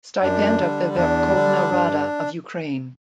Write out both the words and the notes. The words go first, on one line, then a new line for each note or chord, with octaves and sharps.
Stipend of the Verkhovna Rada of Ukraine.
F#2 D4
D3 G3
E2 D4
D3 G3
G2